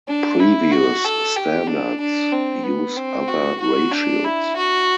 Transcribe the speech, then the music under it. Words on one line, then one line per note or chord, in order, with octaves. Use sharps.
Previous standards use other ratios.
D4
E4
F#4
A4
G4
D4
D4
C4
B3
C4
F#4
F#4
D4
E4
F#4